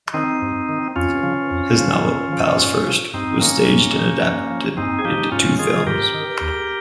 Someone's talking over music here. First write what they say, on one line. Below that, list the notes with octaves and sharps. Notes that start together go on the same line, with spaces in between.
His novel "Pals First" was staged and adapted into two films.
D#3 C4 D#4
G2
D#3
F2 C#4 F4
C#3 F3
F2
C#3 F3
G#2
F3
G#2
F3
G2 C4 D#4
D#3 A#3 C#4
G2
D#3
G2
F3
G2 C4 D#4
G#4
F3 D#4 G4
G#2 C#4 F4
D#3 F4 G#4
G#2 G4 A#4
D#3
D#2